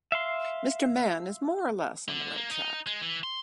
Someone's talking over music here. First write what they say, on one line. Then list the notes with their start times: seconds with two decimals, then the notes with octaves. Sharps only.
Mr. Mann is more or less on the right track.
0.12 E5 F5 C6
2.08 D3
2.36 A#3
2.51 D#4
2.86 G#3
3.02 E3
3.23 C6